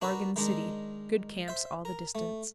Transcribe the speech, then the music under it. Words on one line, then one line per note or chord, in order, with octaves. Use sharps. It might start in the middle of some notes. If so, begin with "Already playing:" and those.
Oregon City.--Good camps all the distance.
D4 F#4 A#4 B4
D#3 G#3 D4 A#4
C5 E5
A#4
A3